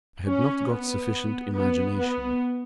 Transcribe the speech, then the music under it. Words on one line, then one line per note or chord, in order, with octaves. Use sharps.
I had not got sufficient imagination.
C#4
B3
B3
B3